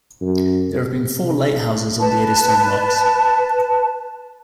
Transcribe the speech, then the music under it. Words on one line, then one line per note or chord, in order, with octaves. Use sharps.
There have been four lighthouses on the Eddystone Rocks.
F#2
C3
C3
B4 A5